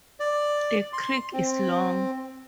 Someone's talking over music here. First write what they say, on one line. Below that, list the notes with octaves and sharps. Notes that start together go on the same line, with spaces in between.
The creek is long.
D5
C6
C4